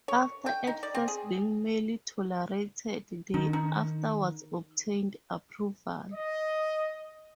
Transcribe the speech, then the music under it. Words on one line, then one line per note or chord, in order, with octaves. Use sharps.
After at first being merely tolerated, they afterwards obtained approval.
C#5
G5
D#4
D5
C4
G#4
D#3 D#4
D#4
D#5